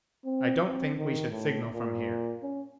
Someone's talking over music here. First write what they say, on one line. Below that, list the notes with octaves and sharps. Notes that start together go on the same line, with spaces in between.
"I don't think we should signal from here."
C4
C4
D#3
A2
A#2
C#4